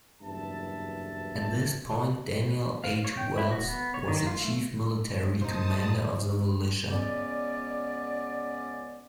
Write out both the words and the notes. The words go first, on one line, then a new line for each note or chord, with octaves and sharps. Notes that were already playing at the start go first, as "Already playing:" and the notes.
At this point Daniel H. Wells was the chief military commander of the militia.
F#1 E2 G2 E5 A5
F5
C#5
G5
E4
F#4
B3
C#5
D#3
F4
A3
G2 A#2 A#3 D#4 C5 A5 D#6
C#2 B3 C#4 D5